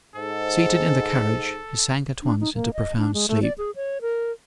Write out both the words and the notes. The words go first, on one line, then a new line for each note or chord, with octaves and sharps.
Seated in the carriage, he sank at once into profound sleep.
G#2 A4
D4
D#4
A#3
D#5
D4
G#3
A3
D5
G#4
C#5
A#4